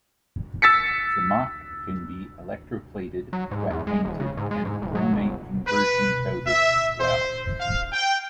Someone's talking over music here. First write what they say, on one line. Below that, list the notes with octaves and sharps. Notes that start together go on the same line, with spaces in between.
Zamak can be electroplated, wet painted, and chromate conversion coated well.
E6 A6 B6 C#7
F#3
G#2
E2
G#3
E1
C#3
G#2
G#3
G#2
D#1
F#3
G1
B4
E5
C5
F5
G5